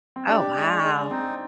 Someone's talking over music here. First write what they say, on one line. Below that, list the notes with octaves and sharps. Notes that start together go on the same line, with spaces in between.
Oh, wow.
C4
D4 G4
G#3
G#3
C4 D#4